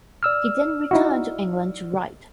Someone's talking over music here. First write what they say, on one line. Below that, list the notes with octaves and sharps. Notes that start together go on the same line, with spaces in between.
He then returned to England to write.
D5 E6 F6
D#4 E4 F#4